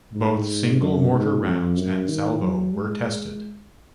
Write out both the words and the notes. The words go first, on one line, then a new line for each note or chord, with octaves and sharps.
Both single mortar rounds and salvo were tested.
G#2
F#2
G#2
F2
F#2
D#3
F#3
G#3